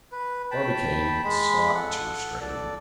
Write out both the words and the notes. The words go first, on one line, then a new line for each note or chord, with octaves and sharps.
Barbicane sought to restrain them.
B4
G5 A5 B5
G#3 B5
A4 F#5
A4 D5